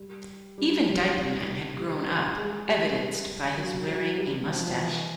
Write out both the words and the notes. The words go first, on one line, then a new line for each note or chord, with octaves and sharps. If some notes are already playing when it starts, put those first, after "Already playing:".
Even Diaper Man had grown up, evidenced by his wearing a mustache.
Already playing: G3
G3
G3
G3
G3
G#3
G3
F#3
F#3
G3
G3
F3
F3
E3